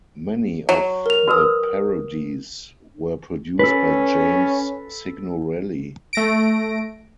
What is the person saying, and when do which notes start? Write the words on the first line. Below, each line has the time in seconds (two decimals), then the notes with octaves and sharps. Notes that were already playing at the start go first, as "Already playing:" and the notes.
Many of the parodies were produced by James Signorelli.
0.69 F#3
1.06 A#4 F7
1.28 F#4 A#4 B4 D#6 F6
3.59 C#4 A4 B4
6.13 A3 A#6 D7